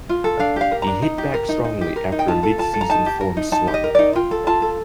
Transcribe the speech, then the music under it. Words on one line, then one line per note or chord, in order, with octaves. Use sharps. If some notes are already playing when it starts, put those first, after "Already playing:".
He hit back strongly after a midseason form slump.
F4
A4
D4 F5
G4 F5
A#4
D4 A#5
D#4
G4
A#4
D#4
D#4
G4
A#4
D#4
G5
F4 A5
A4
F4 A5
A4
A#5
D#4 A5
G4
A#4
D#4
D#4 A5
G4
D#5
A#4
D#4 D5
F4 G5
A4
F4 A5
A4